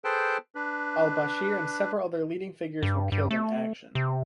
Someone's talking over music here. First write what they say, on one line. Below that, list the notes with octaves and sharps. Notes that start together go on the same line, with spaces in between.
Al-Bashir and several other leading figures were killed in action.
G#4 A4 B4 C5 G5 A5
D4 B4
G2
G2
A3
C3